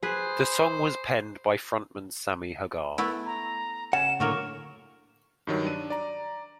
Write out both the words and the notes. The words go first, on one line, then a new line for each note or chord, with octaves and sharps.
The song was penned by frontman Sammy Hagar.
G#4 B4 C5
A3 B3 E4
A#5
C#3 F#5 E7
A2 D3 F#3 A#3 A#4 C#6
G2 D#3 F#3
D4 D#7
D5 A#5